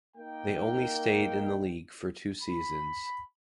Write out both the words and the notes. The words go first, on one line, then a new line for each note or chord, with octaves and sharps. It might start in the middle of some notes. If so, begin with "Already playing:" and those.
They only stayed in the league for two seasons.
A#3 D#4 G5
B5